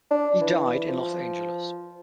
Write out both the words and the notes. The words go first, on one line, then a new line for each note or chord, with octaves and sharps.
He died in Los Angeles.
D4
E3
F3